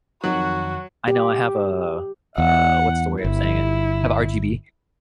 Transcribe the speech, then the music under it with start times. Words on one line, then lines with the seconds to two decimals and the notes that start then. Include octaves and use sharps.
I know I have a, uh uh, what's the way of saying it? I have RGB,
0.24 F2 D#3 F#3 F#4 F#6
1.08 G4
2.38 E2 F#5
3.24 G1 E4